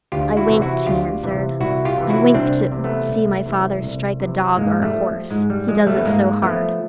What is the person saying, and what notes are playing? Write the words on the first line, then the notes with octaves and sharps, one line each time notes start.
'I winked,' he answered: 'I wink to see my father strike a dog or a horse, he does it so hard.
D2 F4 G4
E4 F#4
C3 E3
E4 F#4
D2 F4 G4
C3 E3
C2 E4 F#4
F4 G4
C3 E3
E4 F#4
C2 C4 D4
C3 E3
A3 B3
C2
C3 E3
C2
C3 E3
G#2 G#3 A#3
G3 A3
F3
G#2 G#3
G3
F3 G#3
G3 A3
B3
G#2 G#3 A#3
F3 A3 B3